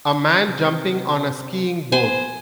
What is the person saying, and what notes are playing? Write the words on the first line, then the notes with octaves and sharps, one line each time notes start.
A man jumping on a skiing board.
C3
B3 C5 G#5